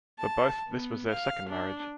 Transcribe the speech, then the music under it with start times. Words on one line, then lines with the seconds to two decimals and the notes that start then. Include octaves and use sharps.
For both, this was their second marriage.
0.19 A5
0.68 B3
1.11 F5
1.49 D4